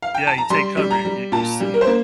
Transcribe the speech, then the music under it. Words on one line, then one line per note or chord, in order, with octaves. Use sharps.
Yeah, you take cover. You you s y
F5
G5
A5
A#5
G3 C6
G3
A#5
G3
A#2 A5
G3
A#4
C5
A#3